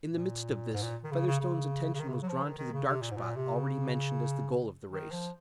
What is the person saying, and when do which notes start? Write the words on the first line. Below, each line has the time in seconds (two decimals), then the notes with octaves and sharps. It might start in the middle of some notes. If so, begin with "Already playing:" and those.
In the midst of this, Featherstone's attention was drawn to the dark spot already mentioned as the goal of the race.
0.09 A#2
0.73 G#2
0.82 A#2
1.04 D#3
1.11 C#3
1.27 C#3
1.40 C#3
1.94 C#3
2.00 D#3
2.09 C3
2.14 C#3
2.22 F#3
2.29 F3
2.43 D#3
2.58 D#3
2.73 C#3
2.87 C3
3.01 A#2
3.11 G#2
3.16 A#2
3.36 C3
3.55 C#3
4.91 D#3
5.12 F3